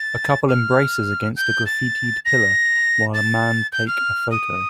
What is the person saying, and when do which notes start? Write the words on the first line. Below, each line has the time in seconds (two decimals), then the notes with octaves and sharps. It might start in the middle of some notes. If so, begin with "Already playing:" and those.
A couple embraces against a graffited pillar while a man take a photo.
Already playing: A6
0.48 F6
1.36 G6
1.66 A6
2.25 A#6
3.13 A6
3.72 G6
3.87 F6
4.31 D#6